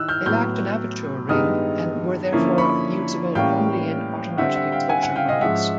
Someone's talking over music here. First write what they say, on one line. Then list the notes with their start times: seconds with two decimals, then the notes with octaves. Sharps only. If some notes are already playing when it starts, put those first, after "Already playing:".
They lacked an aperture ring, and were therefore usable only in automatic-exposure modes.
Already playing: D#3 E4 E6 F#6
0.09 F6 G6
0.26 A2 F#3 B3 F6 G6
1.29 G2 D#3 G#3 B3 D#4 D#6 F6
2.32 D3 F3 A#3 C#4 E4
2.58 B5 C#6
3.35 A2 E3 G3 A#3 C#4 F5 G5
4.38 D3 G3 C4 E5 F#5
4.55 E5 F#5
4.72 F5 G5
4.89 F#5 G#5
5.03 F#5 G#5
5.16 F5 G5
5.29 D#5 F5
5.41 G#2 F3 G#3 C#4 E5 F#5